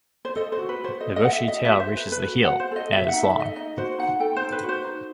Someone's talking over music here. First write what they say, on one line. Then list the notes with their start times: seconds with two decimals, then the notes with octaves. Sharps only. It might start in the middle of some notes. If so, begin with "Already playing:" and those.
The bushy tail reaches the heel, and is long.
0.25 C5
0.36 A4 D#5
0.52 C5
0.58 F#4
0.69 B4
0.79 F#4
0.84 C5
1.00 A4 D#5
1.16 D#5
1.21 A4 F#5
1.32 E5
1.42 F#4
1.48 D#5
1.64 F#4 E5
1.80 C5
1.86 A4
1.96 B4
2.07 A4
2.12 B4
2.28 F#4
2.45 F#4 F#5
2.60 C5
2.71 A4 D#5
2.92 F#4 E5
3.08 F#5
3.14 D#4
3.24 E5
3.35 A4
3.40 D#5
3.56 D#4 D#5
3.78 F#4 C5
3.98 D#4 F#5
4.20 A4 G5
4.36 C5
4.42 D#4
4.52 B4
4.63 F#4
4.69 C5
4.84 D#4